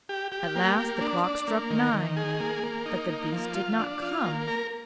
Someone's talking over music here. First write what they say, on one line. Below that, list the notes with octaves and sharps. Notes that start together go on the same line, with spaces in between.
At last the clock struck nine, but the beast did not come.
G4
G4
A#3
A#3
D4
D4
A#3
D#3
D#3
G#4
A#3
A#3
D#4
A#3
F3
F4
D4
F4
A#3
A#4